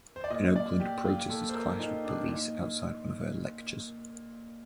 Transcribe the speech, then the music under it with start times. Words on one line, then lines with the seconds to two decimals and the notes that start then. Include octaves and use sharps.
In Oakland protestors clashed with police outside one of her lectures.
0.16 C5
0.24 D5
0.30 A#2 D#5
0.56 D5
0.80 A#2 G4
1.05 F4
1.30 A#2 A4
1.49 C5
1.55 A#4
1.79 A#2 D#4
2.05 D4
2.29 A#2 D#4